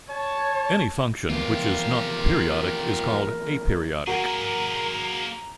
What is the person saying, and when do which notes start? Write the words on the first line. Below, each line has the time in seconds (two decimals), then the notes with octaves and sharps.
Any function which is not periodic is called aperiodic.
0.10 C#5 A5
1.30 E3 F3 B3 F4 G4 A#4
4.07 A#3 F#4 G#4 A#4 A#5